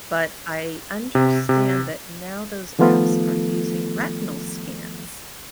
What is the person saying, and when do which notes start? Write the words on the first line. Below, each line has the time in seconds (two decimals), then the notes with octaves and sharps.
But I understand that now those apps are using retinal scans.
1.15 C3
1.49 C3
2.79 D#3 F3 A3 B3 F4 A4